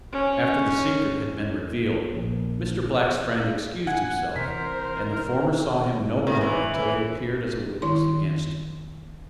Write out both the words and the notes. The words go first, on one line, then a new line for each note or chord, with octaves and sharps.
After the secret had been revealed, Mr. Black's friend excused himself, and the former saw him no more until he appeared as a witness against him.
C#4
A#1
F#5 G#5
C3 E3 A#4 C5 B6
C3
E3
E3
D#3 E4 C6